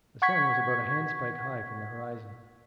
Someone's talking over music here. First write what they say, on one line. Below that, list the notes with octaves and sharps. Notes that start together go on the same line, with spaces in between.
The sun was about a handspike high from the horizon.
F#5 C#6 G#6 B6